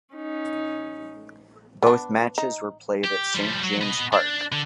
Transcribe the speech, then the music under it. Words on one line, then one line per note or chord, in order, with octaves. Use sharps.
Both matches were played at Saint James Park.
C#4 D#4
B3 D4
D#4
G4
F3 G3
F#3
B3 D#5
D4
D3